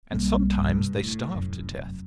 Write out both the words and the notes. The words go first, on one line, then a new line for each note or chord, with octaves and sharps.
And sometimes they starve to death.
B1 G3 A#3 C4
C2 G2
A2
F1 F#2